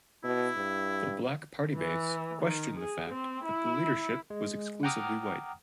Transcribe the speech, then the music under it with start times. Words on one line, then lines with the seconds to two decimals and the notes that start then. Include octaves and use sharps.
The black party base questioned the fact that the leadership was exclusively white.
0.24 B2 E4
0.56 G2
1.75 E3
2.42 D#3
2.79 G#4
3.10 C4
3.44 E4
4.30 G#3
4.83 F#5 G5 A#5 D6 D#6 F6